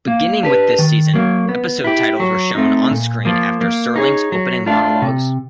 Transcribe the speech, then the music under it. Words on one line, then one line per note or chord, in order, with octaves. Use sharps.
Beginning with this season, episode titles were shown on screen after Serling's opening monologues.
A#3
D4 G4 B4
D#3
F#3 A#3
B3
E4 G4
F#3
A3 C4 D#4
A#2
F3 A#3
A#3
D#4 G#4 C#5
F#3
A3 D4 F4
C3